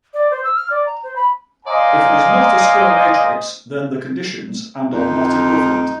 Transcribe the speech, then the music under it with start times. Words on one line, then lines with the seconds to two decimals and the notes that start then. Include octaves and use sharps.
If is not a square matrix, then the conditions and are not equivalent.
0.14 D5
0.31 C5
0.44 E6
0.56 F6
0.70 D5
0.86 A#5
1.03 C5
1.16 B5
1.66 C5 D5 D#5 F5 G#5 A#5
4.92 F2 D#4